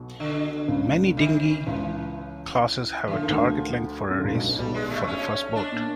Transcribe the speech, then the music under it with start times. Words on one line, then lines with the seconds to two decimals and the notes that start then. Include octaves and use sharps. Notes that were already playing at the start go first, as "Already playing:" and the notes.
Many dinghy classes have a target length for a race for the first boat.
Already playing: B1 B2
0.20 D3
0.68 C#2 C#3
1.17 D#3
1.66 C#2 C#3 E3
3.07 E3
3.13 D3 F3
3.21 D#3
3.30 D2 D3
4.10 C#3
4.18 D3
4.24 C#2 C#3
4.34 B1 B2
4.58 B1 B2 G3
4.74 G#3
4.91 A3
5.08 C#4
5.56 D4
5.72 A#2